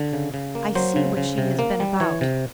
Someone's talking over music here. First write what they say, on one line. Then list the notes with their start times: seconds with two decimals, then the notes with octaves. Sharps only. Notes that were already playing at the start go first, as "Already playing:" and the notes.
I see what she has been about.
Already playing: D3
0.13 C#3
0.34 C#3
0.55 A#3
0.75 F#3 C5
0.96 C#3
1.17 C#3
1.38 C3
1.59 A#3
1.80 G3
2.00 E3 C#5
2.21 C3